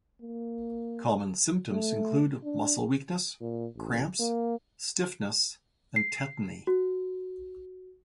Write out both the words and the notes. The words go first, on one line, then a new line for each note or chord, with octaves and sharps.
Common symptoms include muscle weakness, cramps, stiffness, and tetany.
A#3
A3
D4
A#2
A1
A#3
C7
F#4